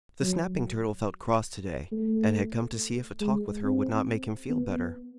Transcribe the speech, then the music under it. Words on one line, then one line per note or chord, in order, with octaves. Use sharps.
The Snapping Turtle felt cross to-day, and had come to see if a talk with her would not make him feel better.
F#3
A3
G#3
C4
B3